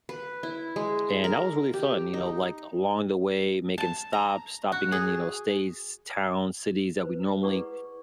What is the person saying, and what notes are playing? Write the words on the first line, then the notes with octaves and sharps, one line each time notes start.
and that was really fun, you know, like, along the way making stops, stopping in, you know, states, towns, cities that we normally
B4
E4
G#3
A#4
G4
D#4
A5
A#5
F#4
G#4
B4 C5
E4 G#4 B4 D5 F#5 C#6